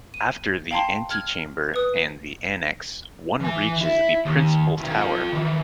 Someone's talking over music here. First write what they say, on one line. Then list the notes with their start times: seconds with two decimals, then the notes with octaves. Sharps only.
After the antechamber and the annex, one reaches the principal tower.
0.14 D#7
0.71 F5 G5 A5 A#5 C6
1.10 F6 G#6
1.74 B4 D#6
3.40 E3 G#5
3.81 E4
4.25 D#2
4.79 D#3 F#3
4.91 F4 A4
5.33 D#3 E3